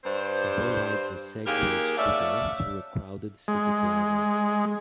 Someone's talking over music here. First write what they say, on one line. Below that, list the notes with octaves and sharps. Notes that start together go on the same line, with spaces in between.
A boy rides a Segway scooter through a crowded city plaza.
G2 C5
D#2 A#3 G4 G#4 A#4
A3 C#4 D5 E5 F5
G#3